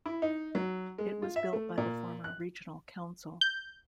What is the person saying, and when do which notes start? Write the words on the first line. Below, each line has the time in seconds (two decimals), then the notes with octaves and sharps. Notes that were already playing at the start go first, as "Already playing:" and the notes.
It was built by the former Regional Council.
0.06 E4
0.22 D#4
0.55 F#3
0.98 G#3
1.22 F4
1.36 E5
1.53 A3
1.78 A#2
2.24 F#6
3.41 G6